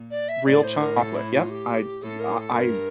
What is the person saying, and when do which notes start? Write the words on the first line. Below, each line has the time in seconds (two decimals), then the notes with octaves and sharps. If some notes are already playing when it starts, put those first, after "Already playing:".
real chocolate. Yep. I I I
Already playing: A#2
0.10 D5
0.28 E5
0.45 A2 D5
0.63 C5
0.80 A#4
0.98 A4
1.15 E4
1.32 F4
1.49 G4
2.01 A2 A4
2.19 A#4
2.37 A4
2.54 G2 A#4